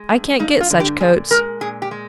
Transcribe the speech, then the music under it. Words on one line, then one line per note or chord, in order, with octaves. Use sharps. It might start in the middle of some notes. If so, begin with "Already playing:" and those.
I can't get such coats.
Already playing: G#3
G2
G2 D#4
F4
D3
G4
A#2 G#4
G#3 A#4
A#2 G#4
G4
G#3